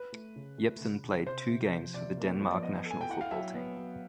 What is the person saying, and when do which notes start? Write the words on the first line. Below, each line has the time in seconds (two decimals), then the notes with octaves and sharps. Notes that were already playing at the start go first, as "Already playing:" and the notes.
Jepsen played two games for the Denmark national football team.
Already playing: B4
0.12 A3
0.36 C#3
0.58 A3
0.80 C#3
1.04 C#3
1.26 C3 C5
1.48 C3
1.71 F3
1.94 C3 D5
2.17 A#3
2.41 F3
2.51 D5
2.63 B3 D#5
2.85 A4
2.91 G#5
3.01 G5
3.08 E4 F#5
3.21 F5
3.31 F#3 E5
3.55 B3
3.77 F#3